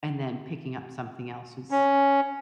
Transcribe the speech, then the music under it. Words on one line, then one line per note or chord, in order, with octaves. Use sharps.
and then picking up something else, was,
C#4